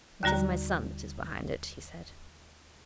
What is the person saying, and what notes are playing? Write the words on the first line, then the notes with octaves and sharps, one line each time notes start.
"It is my son that is behind it," he said.
D#2 D3 G3 F#4 A#5